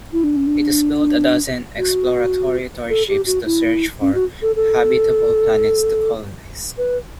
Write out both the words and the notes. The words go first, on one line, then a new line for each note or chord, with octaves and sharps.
It has built a dozen exploratory torchships to search for habitable planets to colonize.
E4
D4
C#4
D4
F#4
A4
G4
F#4
E4
C#4
F#4
A4
A4
B4